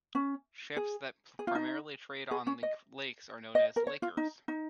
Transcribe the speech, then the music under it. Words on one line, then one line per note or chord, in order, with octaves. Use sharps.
Ships that primarily trade on the lakes are known as "lakers".
C#4
G#4
G#4
F4
D#4
G#4
C#4
D#5
D#5
A#4
C#5
F4
D#4
D#4